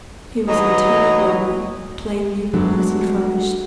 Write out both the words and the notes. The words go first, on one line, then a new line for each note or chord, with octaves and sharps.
He was in a tiny hallway, plainly but nicely furnished.
E3 F#3 D#4 B4 D#5
F#3 G#3 A3 B3 D4